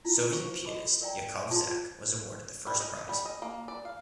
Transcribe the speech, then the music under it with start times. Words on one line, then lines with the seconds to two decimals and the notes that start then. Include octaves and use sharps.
Soviet pianist Yakov Zak was awarded the first prize.
0.05 E4 F4
0.32 B4 C5 F5 C#6
0.65 F#4 A4 D#5 B5 D6
1.01 A#4 D5 F5 G5 A#5
1.51 F4 G#4 A5 C6 D6
2.67 G3
2.80 D#5
3.09 G3
3.25 D#5
3.42 A#3
3.68 D5
3.85 F5